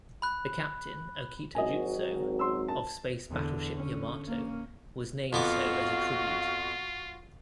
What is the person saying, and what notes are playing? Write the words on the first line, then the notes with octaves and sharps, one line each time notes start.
The captain, "Okita Juzo" of Space Battleship Yamato was named so as a tribute.
B5 F#6
G#1 F#3 D#5 G#5
C6 E6
A5
E2 D3
D3 C#4
A#3 C#4
F2 B3 F4 F#4 F5 D6